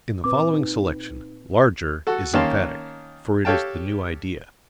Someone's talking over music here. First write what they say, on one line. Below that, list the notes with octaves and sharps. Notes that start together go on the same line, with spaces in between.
In the following selection, "larger" is emphatic, for it is the new idea.
A#2 C4 B4 D6
D#4
F#4 A4
D#3 A#3 C#4 F5 A5 C6
G4 A4 C#5 F5 G5 A5